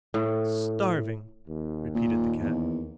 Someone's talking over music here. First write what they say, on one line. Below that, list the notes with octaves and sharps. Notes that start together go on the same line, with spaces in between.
"Starving!" repeated the Cat.
A2
D#2
A#2
E2